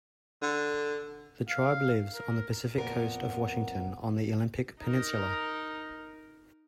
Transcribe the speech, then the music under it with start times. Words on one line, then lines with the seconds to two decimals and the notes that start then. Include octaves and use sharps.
The tribe lives on the Pacific Coast of Washington on the Olympic Peninsula.
0.42 D3
1.49 F5
2.14 A#4
2.78 F2 A#2 B3 A#4
4.80 D#4 A#4